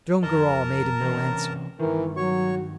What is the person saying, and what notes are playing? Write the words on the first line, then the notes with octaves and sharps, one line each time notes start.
Joam Garral made him no answer.
F2 A#4 D#5 A5 A#5
C3 E3 C#4
G2 D#3 E3 A#4
F#3 F#4 C#5 C#6